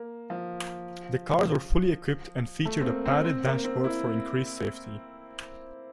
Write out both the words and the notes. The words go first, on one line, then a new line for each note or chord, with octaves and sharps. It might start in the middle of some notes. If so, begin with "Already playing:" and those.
The cars were fully equipped and featured a padded dashboard for increased safety.
Already playing: A#3
F3
A3
C4
A#3
C4
C4
A#3
C4
E4